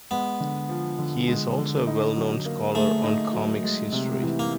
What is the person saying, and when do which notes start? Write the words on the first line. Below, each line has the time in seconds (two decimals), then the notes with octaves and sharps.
He is also a well-known scholar on comics history.
0.11 G#3 B3
0.40 D3
0.69 F3
0.99 D3
1.28 G#3
1.58 D3
1.87 D#4
2.16 F#3
2.45 A#3
2.74 A3 G#4
3.04 D#4
3.33 F#3
3.64 G#3
3.92 C3
4.22 E3
4.39 A#3